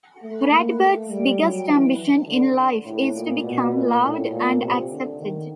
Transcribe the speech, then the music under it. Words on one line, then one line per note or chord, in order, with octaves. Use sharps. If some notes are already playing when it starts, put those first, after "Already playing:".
Ratbert's biggest ambition in life is to become loved and accepted.
A3
A#3
A3
G3
F#3
E3
D3
A2
A#2
B2
A#2
A2
A#2
C3
D3
D#3